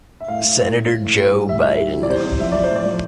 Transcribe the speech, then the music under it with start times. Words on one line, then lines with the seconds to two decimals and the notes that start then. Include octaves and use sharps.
Senator Joe Biden.
0.20 E5
0.28 A2 F5
0.44 A2
0.59 A2
0.74 A2
0.89 A2
1.05 A2
1.20 G3
1.35 G3
1.49 A2 E5
1.65 A2
1.80 G3
1.95 E3
2.03 D5
2.10 C3 C5
2.25 C3
2.40 F3 E5
2.52 F3 D5
2.64 C5
2.70 A2
2.76 D5
2.86 F3